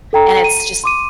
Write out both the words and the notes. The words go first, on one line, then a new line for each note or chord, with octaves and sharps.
And it's just
A4 G5 A#5
D#7
C6 D6 D#7